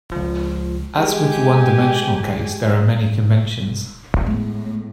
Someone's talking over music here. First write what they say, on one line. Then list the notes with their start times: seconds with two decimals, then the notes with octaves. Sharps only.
As with the one-dimensional case, there are many conventions.
0.12 C#2 F3
0.98 G#3 G4 G#5
4.26 A2 G#3 B3